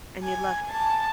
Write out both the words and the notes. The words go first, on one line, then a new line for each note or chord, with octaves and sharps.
And you loved it?
G#5
A5